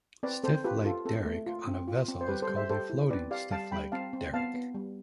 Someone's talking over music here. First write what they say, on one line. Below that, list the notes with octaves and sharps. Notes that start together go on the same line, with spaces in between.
Stiffleg derrick on a vessel is called a floating stiffleg derrick.
C4 B4 D5
C4 A4 C5
F4 G4 B4
F4 A4
C4 A4
A3
F4
C4
F4
C4
C5
G3 G4 B4
A4 C5
G3
C5 E5
G4 A4 C5
E4
C4 B4 D5
G4 D5 F5
G3 F5 A5
G3 G5 B5
C4 F5 A5
C4
B3 F5 A5
B3
G3